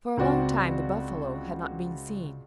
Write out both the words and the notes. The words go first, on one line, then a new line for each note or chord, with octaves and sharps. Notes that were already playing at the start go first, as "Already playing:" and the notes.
For a long time the buffalo had not been seen.
C#2 C4 F#4 D5